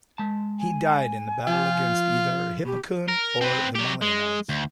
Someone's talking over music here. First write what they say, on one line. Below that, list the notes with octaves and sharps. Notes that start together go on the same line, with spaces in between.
He died in the battle against either Hippocoon or the Molionides.
G#3 A5
G#5
F3 F4 G4
B2 G4
A#4
C4 B4
F#3 G4
G#3
D2